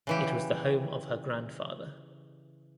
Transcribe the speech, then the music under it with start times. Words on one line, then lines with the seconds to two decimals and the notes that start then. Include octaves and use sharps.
It was the home of her grandfather.
0.07 C#3 E3 G4